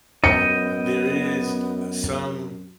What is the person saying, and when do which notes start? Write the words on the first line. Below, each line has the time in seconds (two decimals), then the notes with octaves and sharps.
there is, uh, some
0.24 F#2 B3 D#5 G5 C#7